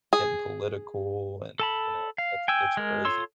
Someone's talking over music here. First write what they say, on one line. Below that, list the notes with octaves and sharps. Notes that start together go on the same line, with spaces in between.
getting political, and, you know, that's that's crazy.
G#4
A4 A5 B5
F5
G5 G#5 E6
G#3 A#4
F4 A4 C#5 C6 E6